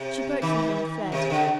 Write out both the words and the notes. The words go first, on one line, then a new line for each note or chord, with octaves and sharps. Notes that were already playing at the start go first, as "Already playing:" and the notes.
She broke from him and fled.
Already playing: C3
D#3
C3
D3